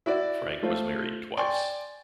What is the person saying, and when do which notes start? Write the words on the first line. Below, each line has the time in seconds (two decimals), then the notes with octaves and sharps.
Frank was married twice.
0.06 E4 F#4 D5
0.63 A3 F4 C5
1.37 D5 G5 G#5 C6 C#6